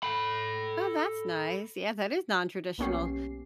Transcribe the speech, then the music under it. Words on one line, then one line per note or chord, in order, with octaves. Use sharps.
Oh, that's nice. Yeah, that is nontraditional,
A4 B5
B1 A#3 B3 C#4 G4 C7